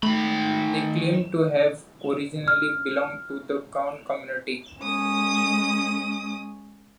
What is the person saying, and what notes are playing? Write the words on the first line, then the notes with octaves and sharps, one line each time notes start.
They claim to have originally belonged to the Gond community.
D#3 A3 B5
F6
G#3 C#4 D#6